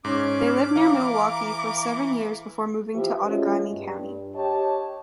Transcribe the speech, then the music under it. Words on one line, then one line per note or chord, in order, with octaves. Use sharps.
They lived near Milwaukee for seven years before moving to Outagamie County.
G#2 C#4 D6
E3 F5 A#5
E3 F3 G4 B4 E5
G#3 A3 C#4 F4 F#4 G#4
G2
G4 C#5 D#5 A5